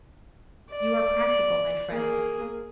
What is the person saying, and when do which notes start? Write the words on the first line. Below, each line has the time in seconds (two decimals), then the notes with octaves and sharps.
'You are practical, my friend.
0.72 D5
1.91 A#3 G#4